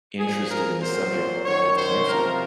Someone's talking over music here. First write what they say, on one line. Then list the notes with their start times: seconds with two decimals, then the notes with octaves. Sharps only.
interested in the subject of cancer.
0.18 A#2 F3 G#4
0.50 A#4
0.82 A#2 F#3 C5
1.44 F#2 D#3 F#3 C#5
1.76 C5
2.06 C3 F3 A#4